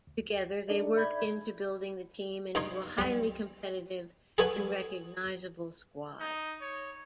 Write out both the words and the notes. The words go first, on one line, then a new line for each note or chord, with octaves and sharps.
Together, they worked into building the team into a highly competitive and recognizable squad.
D2
D4 D#4 A4 D5 D#5
D5 E5 B5 G6 G#6
G2 D#4 C#5 C6
G3 C4
G#4 A4 B4 C#5 F#5 G#5
D#4
C#5